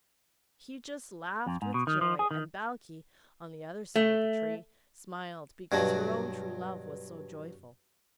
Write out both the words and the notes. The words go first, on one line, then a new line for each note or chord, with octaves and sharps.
He just laughed with joy, and Balkis, on the other side of the tree, smiled because her own true love was so joyful.
F2
G#2
B2
D#3
F3
G#4
D#3
A3
G2 B2 F#3